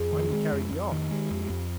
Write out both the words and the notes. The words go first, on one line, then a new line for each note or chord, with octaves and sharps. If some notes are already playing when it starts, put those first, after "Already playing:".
Mine would carry beyond.
Already playing: F2 G#4
D#3
G#3
F2
F2
D#3
G#3 G4
F2
F2